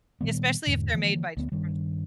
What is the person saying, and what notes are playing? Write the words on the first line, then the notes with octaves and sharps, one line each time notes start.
especially if they're made by J from J
A#2 D#3 G3 B3
E2 G#2 D3
D3 E3 F3 A#3
D2 B3
G2 D#3 G3